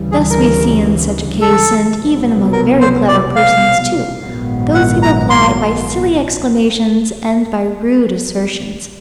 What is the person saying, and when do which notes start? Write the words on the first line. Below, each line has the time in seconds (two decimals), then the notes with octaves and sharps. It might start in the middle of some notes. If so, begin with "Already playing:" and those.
Thus we see, in such a case, and even among very clever persons too, those who reply by silly exclamations and by rude assertions.
Already playing: D2 C#3 E3 G3
0.12 G#4
0.30 A#4
1.41 A4
1.97 C2 B2 F#3 B3
2.53 A#4
2.80 C5
3.08 D5
3.36 F5
4.19 A#1 G#2 D#3 F#3 B3
4.75 F#5
5.03 A#5
5.30 C6